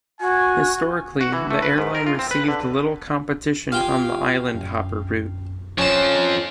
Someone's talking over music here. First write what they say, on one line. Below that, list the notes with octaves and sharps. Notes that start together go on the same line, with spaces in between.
Historically the airline received little competition on the "island-hopper" route.
F#4 G#5
F#4
E3
A3
B4
G#2
A#4
F4
C4
B4
D3
F4 G4 F5 G5 G#5
F#2
F2 F3 C#4 C#5 G#5 A5